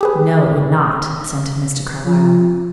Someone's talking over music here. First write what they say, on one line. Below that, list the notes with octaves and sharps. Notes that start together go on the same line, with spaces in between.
"No, it would not," assented Mr. Carlyle.
G4 G#4 B4
F3